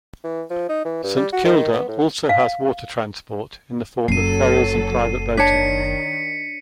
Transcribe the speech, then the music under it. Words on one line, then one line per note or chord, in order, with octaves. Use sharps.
Saint Kilda also has water transport in the form of ferries and private boating.
E3
F3
D#4
E3
G2
G3
F#4
D#3
B3
A2
F5
F#1 F#3 A4 C7 D#7
D#3 D4 C#5 A5 B6 C#7